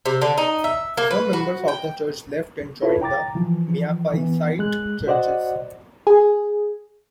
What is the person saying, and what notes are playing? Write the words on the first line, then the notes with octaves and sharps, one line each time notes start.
Some members of the church left and joined the Miaphysite Churches.
C3
D3
D#4
E5
A#3
B4
F#4
G5
E4 F4 A4 B4 C#5
G5 A#5 D6 A6
E3 F3
E3 B3
G#3 F#6
F#4 C5 D5 D#5 F#5
G#4